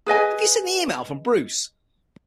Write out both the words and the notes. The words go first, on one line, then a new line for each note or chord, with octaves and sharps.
Have you seen the email from Bruce?
G#4 B4 D#5 G#5